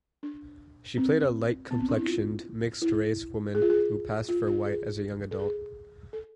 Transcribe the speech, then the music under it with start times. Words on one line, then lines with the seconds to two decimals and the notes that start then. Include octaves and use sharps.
She played a light-complexioned mixed-race woman who "passed" for white as a young adult.
0.23 D4
0.97 C4
1.71 B3
1.80 C4
1.89 D4
1.98 E4
2.08 F4
2.82 E4
3.55 G#4
3.62 F4
3.70 G#4
4.29 F4
4.47 F4
4.65 G#4
5.31 A4
5.39 G#4
6.13 A4